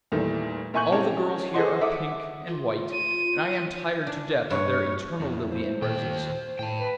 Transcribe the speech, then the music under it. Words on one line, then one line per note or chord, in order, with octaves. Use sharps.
All the girls here are pink and white, and I am tired to death of their eternal lilie and roses.
E2 A#2 D#3 G3 A3
A#2 E5 G#5 C#6 G6 F#7
C4 C#4 G4 A#4 C#5 A5
G#4 A4 C5 D#5 F#5 C6
A4 E5 F#5 D6 D#6
F4
D#7
D4
G2 C#5
F2 E4
C5
D#2 A#2 G5
A2 G5 A5
B4